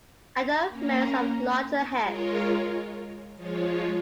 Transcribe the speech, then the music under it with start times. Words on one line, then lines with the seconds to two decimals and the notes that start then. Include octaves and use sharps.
Adult males have larger heads.
0.69 A#3 C#4 A#4
2.03 G#3 F4 A#4 C#5
3.36 F3 G#3 F4 C#5